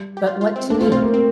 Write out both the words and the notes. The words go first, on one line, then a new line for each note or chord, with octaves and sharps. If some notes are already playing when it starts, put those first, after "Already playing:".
But what to me?
Already playing: G3
G4
F4
F4
C4
A3 D4
A3 F4
C4 F4
A#3
C4